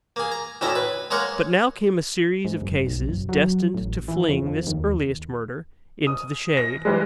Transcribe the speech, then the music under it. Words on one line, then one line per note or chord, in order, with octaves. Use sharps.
But now came a series of cases destined to fling this earliest murder into the shade.
A#3 G#4
A#5
D2 A2 C#4 E4 D#5 A#5
B4
G#3 A#3 A#4 C#5 F#5
G#2
F#1
B1
F#1
F#3
A1
E3
F2
F2
D#2
D#6
A#6
E3 G3 G#3